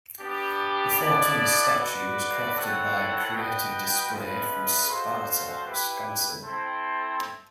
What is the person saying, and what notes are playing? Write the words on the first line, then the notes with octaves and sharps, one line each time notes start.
The four-ton statue was crafted by Creative Display from Sparta, Wisconsin.
G3 B3 D4 G4
B3 E4 A4 D5
F#4 B4 D5
C4 E4 A4 C#5 F#5
F#4 B4 D#5 G5
C#4 F4 G#4 B4 D#5
F#4 A4 C5 F5
E4 G4 B4
C4 E4 A4 C5